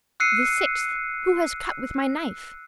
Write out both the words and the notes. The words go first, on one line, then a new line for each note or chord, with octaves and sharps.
The sixth, "Who has cut with my knife?"
E6 F#6 C7 C#7 D#7